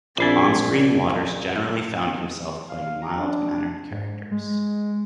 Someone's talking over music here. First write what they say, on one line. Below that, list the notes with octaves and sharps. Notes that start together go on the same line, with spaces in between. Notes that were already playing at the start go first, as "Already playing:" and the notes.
On screen Waters generally found himself playing mild mannered characters.
A#1 C4 D4 E4 F4
F5
A#5
D4
G#2
G#3